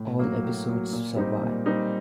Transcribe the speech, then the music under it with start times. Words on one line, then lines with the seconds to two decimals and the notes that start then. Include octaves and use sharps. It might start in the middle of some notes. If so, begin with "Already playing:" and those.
All episodes survive.
Already playing: A2
0.19 F#3 A#3
0.43 A2
0.68 F#3 A#3
0.93 A#2
1.16 G3 C4 D#4
1.42 A#2
1.66 G3 C4 D#4